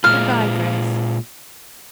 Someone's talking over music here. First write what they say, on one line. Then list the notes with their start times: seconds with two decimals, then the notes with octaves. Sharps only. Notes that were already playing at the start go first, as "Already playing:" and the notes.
Good-bye, Grace.
0.04 A#2 G#3 F4 F6